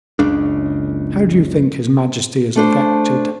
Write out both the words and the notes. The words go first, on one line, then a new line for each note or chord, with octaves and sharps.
"How do you think his majesty is affected?"
F#1 C#2 C#3 D4
A3 D4 C5